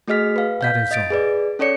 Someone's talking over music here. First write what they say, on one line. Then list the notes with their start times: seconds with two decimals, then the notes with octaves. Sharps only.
That is all.
0.08 A3 F#4 G#4 D#5 F6 B6
0.36 B4 F5
0.61 F5 G6 B6
0.91 D#5 A6 D7
1.10 G#4 B4 D5
1.59 C#4 A4 C#5 D5 C#7